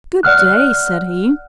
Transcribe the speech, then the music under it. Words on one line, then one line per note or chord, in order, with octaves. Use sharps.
"Good day!" said he.
D5 F#5 F6 F#6